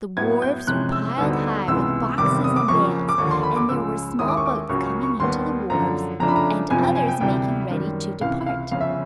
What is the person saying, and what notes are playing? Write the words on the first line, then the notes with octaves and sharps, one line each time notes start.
The wharves were piled high with boxes and bales, and there were small boats coming in to the wharves, and others making ready to depart.
A2 F#3 B3 E4 G#6
G6
F2 C3 E3 G#3 C#4 F#6
E6
D2 D3 G3 B3 D#4 E6
C#2 C3 E3 G#3 B3 E6
F1 E2 C3 D#3 G3 D6
D#6
D6
F2 C#3 F3 A#3 C#6
D6
D#2 D3 F3 A#3 C#6
C6
B5
D6
C#2 C#3 F3 G#3 E6
D#2 D#3 G#3 C#4 E4 D#6
D6
C#6
D6
C#2 C#3 F#3 A#3 C#4 C#6
C#6
C#6
D#2 D#3 G3 B3 C6
F#2 D3 F3 A#5
F2 C#3 F3 A3 D4 A#5
B5
A#5
F#1 F2 C3 F3 G#5
G5
G#5
G5
D2 C3 E3 G3 G5
F#2 D#3 G3
C#2 C3 E3 F5
F5
G1 F2 C#3 F3 F5
E5